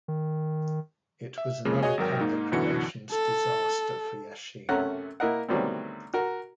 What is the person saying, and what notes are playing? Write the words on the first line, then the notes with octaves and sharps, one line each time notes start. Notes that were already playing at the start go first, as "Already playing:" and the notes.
It was another public relations disaster for Yashin.
D#3
E5
F2 C#3 G#3 A#3
F#4 G#4 C#5 D#5 G#5
G#1 F#3 A#4 G5
G#2 A#3 D#4
F#2 B2 D3 E3 F#4 C#7
A4
F#2 C3 A3 C#4 F#5 A#5
A#3 E4 A#4 D#5 F#5
D2 D#3 F#3 G3 B3 C4
F#4 A#4